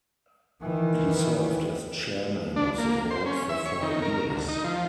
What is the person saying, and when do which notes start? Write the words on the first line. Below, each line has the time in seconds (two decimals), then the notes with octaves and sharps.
He served as chairman of the board for four years.
0.63 D#3 E3
2.56 D4
2.78 A#3
3.11 C5
3.26 C#4
3.49 E5
3.65 C#5
3.82 D#3
4.02 A#4
4.29 D2
4.48 D#4
4.64 F3